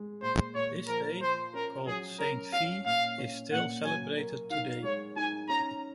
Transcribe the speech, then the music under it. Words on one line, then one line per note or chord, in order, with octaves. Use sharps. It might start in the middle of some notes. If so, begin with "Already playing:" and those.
This day, called Saint V is still celebrated today.
Already playing: G#3
A#2 C5
A#2 C#5
F3 A#4
F3 C5
C#4 A#4
F#3 G#4
C#4 A#4
C#4 F5
A#2 F5
C#4
A#2 F#5
F#3 G#5
A#4
D#4 F5
G#3 C#5
D#4 G#5
C#4 A#5